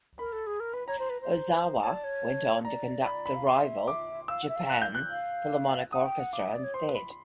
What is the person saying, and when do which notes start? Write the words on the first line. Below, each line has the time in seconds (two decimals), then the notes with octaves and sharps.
Ozawa went on to conduct the rival Japan Philharmonic Orchestra instead.
0.19 A#4 B5
0.33 A4
0.47 G#4
0.60 A#4
0.73 B4 B5
0.87 C#5 A#5
0.99 C5
1.10 B4
1.21 C5
1.83 C#5 A5
1.93 D5
2.04 C#5
2.65 D5 A#5
3.06 B5
3.26 B5
3.35 F5
3.47 E5 C6
3.88 D6
4.28 F5 E6
4.42 F#5
4.49 E5
4.56 F5
4.70 F#6
4.82 G6
4.95 F#6
5.10 F5
5.92 F#5 D#6
6.06 G5
6.19 F#5
6.33 F5 D6
6.43 E5
6.54 D5
6.64 C#5
6.74 C5 C6
6.87 B4
6.95 B5